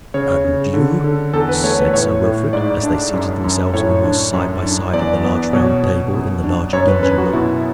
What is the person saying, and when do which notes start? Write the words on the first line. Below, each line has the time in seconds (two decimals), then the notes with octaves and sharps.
"And you?" said Sir Wilfrid, as they seated themselves almost side by side at the large, round table in the large, dingy room.
0.14 C#3 C#5
0.44 C#3
0.73 D3
1.04 D3
1.34 E2 A4
1.49 B4
1.63 A3 C#5
1.79 B4
1.94 A2 C#5
2.24 A2
2.53 G#2 D5
2.83 D4
3.13 F#2
3.44 F#2
3.73 A2 C#5
4.04 D4
4.33 F#2
4.64 D4
4.93 E2 D5
5.24 B3
5.53 B2 C#5
5.83 B2
6.14 F#2
6.44 D4
6.73 F#2 C#5
6.88 B4
7.03 C#4 B4
7.18 F#4
7.33 B2 E4